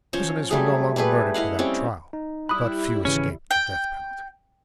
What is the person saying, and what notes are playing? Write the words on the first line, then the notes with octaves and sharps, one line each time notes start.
Prisoners were no longer murdered without trial, but few escaped the death penalty.
F3 C#4 C5 C#5
F#3 G3 A3 G#4
G3 A3 G#4 B4
E4 D#5 F5 F#5
G3 C4 C#4
D#4
G3 E4 B5 D#6 F#6
G#1 C#3 E3 C#4
G5